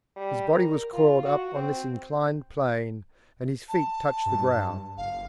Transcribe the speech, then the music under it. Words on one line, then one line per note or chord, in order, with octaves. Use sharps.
His body was coiled up on this inclined plane and his feet touched the ground.
G3
A#4
F4
F#4
C4
A5
G2
F#1 F5